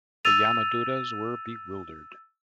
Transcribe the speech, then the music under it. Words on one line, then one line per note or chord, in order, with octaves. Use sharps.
The Yamadutas were bewildered.
E6 A6 D#7 F7